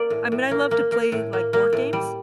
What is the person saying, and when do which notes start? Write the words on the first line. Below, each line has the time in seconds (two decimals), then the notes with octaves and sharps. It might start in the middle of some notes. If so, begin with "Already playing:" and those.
I mean, I love to play, like, board games.
Already playing: A#3 D5
0.10 A2
0.32 A2
0.51 A#3
0.71 A#3
0.92 A#3
1.12 A2
1.33 A#3
1.53 A#3
1.73 A2
1.93 G3